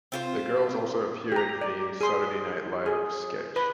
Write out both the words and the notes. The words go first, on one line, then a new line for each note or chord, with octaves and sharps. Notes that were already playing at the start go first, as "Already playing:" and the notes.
The girls also appeared in a "Saturday Night Live" sketch.
C4 F4 C5
G4 A#5
D5
G#4 C6
G#4
B4